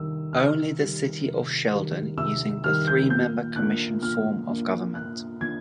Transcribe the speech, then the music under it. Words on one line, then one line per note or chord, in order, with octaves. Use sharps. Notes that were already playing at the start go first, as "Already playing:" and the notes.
Only the city of Shelton using the three-member commission form of government.
Already playing: C3 D#3 G3 E6
C3 F6
D#3 G3
C3
D#3 G3
C3 E6
D#3 G3 F6
G6
A#2 G6
F3 A#3 D4 F#6
A#2 F6
F3 A#3 D4
A#2 F#6
F3 A#3 D4 G#6